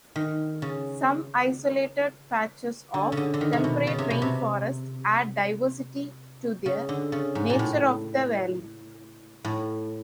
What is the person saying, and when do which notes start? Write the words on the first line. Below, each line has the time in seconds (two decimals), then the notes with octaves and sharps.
Some isolated patches of temperate rainforest add diversity to the nature of the valley.
0.16 D#3
0.62 C#3
2.94 D3
3.12 C#3
3.17 D3
3.34 D3
3.41 D#3
3.53 C3
3.64 B2
3.87 C#3
3.98 C3
4.10 B2
4.22 C3
6.66 C#3
6.89 D3
7.12 C#3
7.35 G#2
7.50 A#2
7.59 A2
9.45 A2